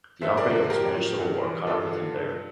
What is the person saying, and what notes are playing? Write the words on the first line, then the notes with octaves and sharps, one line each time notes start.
The outbreak of the Spanish Civil War caught up with him there.
G2 C5 E5
A#4 D5
D3 F3
A2 G4 A#4
F3
G2
E3
G2 F4 A4
D3 F3
G2